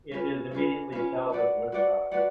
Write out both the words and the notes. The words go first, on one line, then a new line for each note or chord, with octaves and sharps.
It is immediately south of Woodstock.
C#4 F4 G#4 B4
C#4 F4 G#4 B4
C#4 F4 G#4 B4
F#4 B4 D5 F#5
F#4 B4 D5 F#5
F#4 B4 D5 F#5